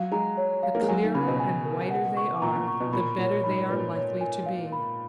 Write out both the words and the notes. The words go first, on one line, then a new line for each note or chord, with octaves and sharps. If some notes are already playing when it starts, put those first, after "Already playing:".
The clearer and whiter they are the better they are likely to be.
Already playing: F#3 F5
G#3 A#5
C#5
F5
A#3
G#3
F#3 G#5
D#3
C#3 B5
B2
G#5
A#4
F#5
C#6
A#2 A#5
A#2
C#6
B2
A#2 B5
A#2 C#5
G#2 B5
A#2 B4
C#5
G#5
F5
B5